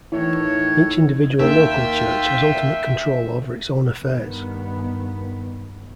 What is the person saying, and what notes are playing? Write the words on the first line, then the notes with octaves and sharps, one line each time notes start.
Each individual local church has ultimate control over its own affairs.
A2 D#3 E3 C#5
D#2 F4 E5 G5
G2 D#3 B3